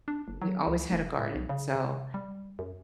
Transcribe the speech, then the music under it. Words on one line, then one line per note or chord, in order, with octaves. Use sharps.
We always had a garden, so,
D4
F#1
F#3
C#2
F1
A2
B1
C#3
C3
G3
F#2